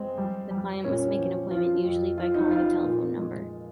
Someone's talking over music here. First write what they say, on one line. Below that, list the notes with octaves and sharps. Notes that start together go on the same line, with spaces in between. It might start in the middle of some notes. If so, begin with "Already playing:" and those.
The client must make an appointment, usually by calling a telephone number.
Already playing: G#3 C4
G3
G3
A#2 C#4
F3
F3 F4
F2
F3 F4
D#4
F3 F4
A#2
G#3